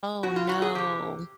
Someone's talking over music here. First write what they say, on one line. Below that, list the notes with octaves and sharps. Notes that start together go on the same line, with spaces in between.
Oh, no.
B2 F#4
F4
F#4
G#4
C3 E3 G4